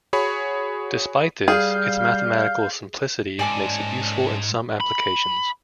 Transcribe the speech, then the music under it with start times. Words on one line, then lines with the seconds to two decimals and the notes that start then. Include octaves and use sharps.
Despite this, its mathematical simplicity makes it useful in some applications.
0.13 F#4 G#4 C#5 B5
1.48 G3 G#4 F5 G6
3.39 G#2 C#4 A4 D5 G#5 D6
4.80 B5